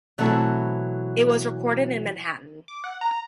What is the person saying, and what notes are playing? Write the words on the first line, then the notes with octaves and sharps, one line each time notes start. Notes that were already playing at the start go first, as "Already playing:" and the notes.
It was recorded in Manhattan.
B2 E3 F#3 A3 C4 A4
D6
F#5
A#5